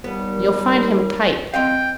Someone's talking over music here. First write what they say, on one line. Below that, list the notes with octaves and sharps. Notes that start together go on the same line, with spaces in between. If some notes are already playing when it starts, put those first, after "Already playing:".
You'll find him tight.
D#2 G3 B3
C4 D#5 F5 G5